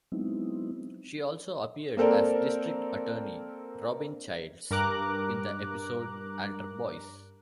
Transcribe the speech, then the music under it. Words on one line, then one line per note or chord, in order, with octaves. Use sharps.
She also appeared as District Attorney Robin Childs in the episode "Alter Boys".
F#3 G#3 B3 C4 D#4 E4
A#3 C4 A4 A#4 D5
G2 A#4 A#5 D6 F#6